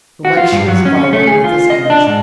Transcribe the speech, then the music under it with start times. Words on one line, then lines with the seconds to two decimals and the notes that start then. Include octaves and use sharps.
The lecture is vibrant with his energy.
0.25 F#4
0.37 F4
0.52 G2
0.68 F#3
0.85 C#4
0.97 C#4
1.13 A3
1.27 G#4
1.44 F4
1.70 D#5
1.90 D4
2.07 G#2